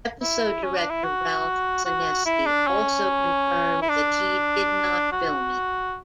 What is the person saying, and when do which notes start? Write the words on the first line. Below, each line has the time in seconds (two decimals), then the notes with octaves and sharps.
Episode director Ralph Senesky also confirmed that he did not film it.
0.21 E4
0.64 C#4
0.77 D4
0.90 E4
1.04 F#4
1.85 F#4
2.26 E4
2.46 D4
2.67 C#4
3.82 E4
3.89 D4
5.12 F#4